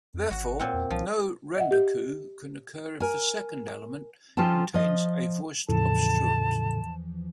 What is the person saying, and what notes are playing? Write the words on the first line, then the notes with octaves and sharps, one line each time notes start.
Therefore, no "rendaku" can occur if the second element contains a voiced obstruent.
F2
G#1 F#4 F#5
A#2 C4 F#5
E2
C2 F3
D#5 E5 F#5
G4 G6
A#4 G#5
F3 C#4 F4 A4 G5 A5
F3 D#5
E2 A2 C#3 E3 F3 A4 A5